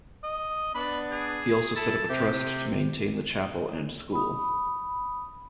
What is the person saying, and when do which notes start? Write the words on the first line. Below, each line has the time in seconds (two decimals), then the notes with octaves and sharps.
He also set up a trust to maintain the chapel and school.
0.24 D#5
0.75 B3 D4 B5
1.11 G#4
1.76 E4 A4 A5
2.09 C3 G4
4.12 B5 D#6